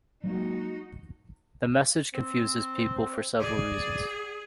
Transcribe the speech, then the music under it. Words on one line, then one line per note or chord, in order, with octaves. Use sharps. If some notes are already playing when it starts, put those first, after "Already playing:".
The message confuses people for several reasons.
F#3 G#3 A#3 D#4 F#4
C4
G#4 D5